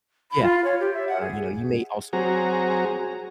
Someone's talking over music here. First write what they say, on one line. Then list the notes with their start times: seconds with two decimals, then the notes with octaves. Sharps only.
Yeah, I think, uh, you know, you may also lean
0.31 B5
0.43 F4
0.64 C#5
0.80 G4
0.94 E5
1.07 F#5
1.21 G#4
2.13 F#3 C4 F#4 G#4 A#5